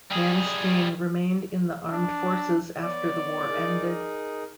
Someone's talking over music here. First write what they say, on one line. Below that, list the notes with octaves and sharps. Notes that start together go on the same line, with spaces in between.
Manstein remained in the armed forces after the war ended.
G3 G#4
D4
B3 C#5 D5
D#4 G#4 A#4